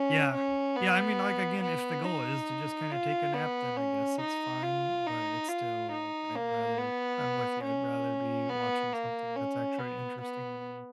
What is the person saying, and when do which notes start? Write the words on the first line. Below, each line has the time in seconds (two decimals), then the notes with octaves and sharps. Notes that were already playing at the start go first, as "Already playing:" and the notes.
Yeah, yeah, I mean, like, again, if the goal is to just kinda take a nap, then I guess it's fine, but it's still like I'd rather, I'm with you, I'd rather be watching something that's actually interesting to me.
Already playing: C#4
0.34 C#4
0.76 B3
1.62 B3
2.05 D#4
2.92 F4
3.34 B3
3.77 C#4
4.20 D#4
4.63 F4
5.07 D#4
5.49 F4
5.92 D#4
6.36 A#3
6.78 B3
7.64 C#4
8.50 B3
8.93 A#3
9.36 C#4
9.78 B3
10.22 B3